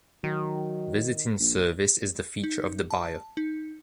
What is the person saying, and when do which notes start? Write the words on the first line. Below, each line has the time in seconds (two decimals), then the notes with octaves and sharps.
Visiting service is the feature of the buyer.
0.24 D#3 F#3
1.39 A#1
2.43 D#4
2.91 A5
3.37 D#4